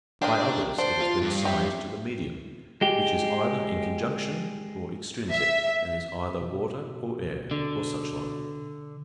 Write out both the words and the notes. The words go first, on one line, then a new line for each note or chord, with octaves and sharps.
By others it has been assigned to the medium, which is either in conjunction or extrinsic and is either water or air, or such like.
D4 G4 A#4 D#5
D4 C5
F4
G2
G4 E5
G#3 G4
E5
B2
D3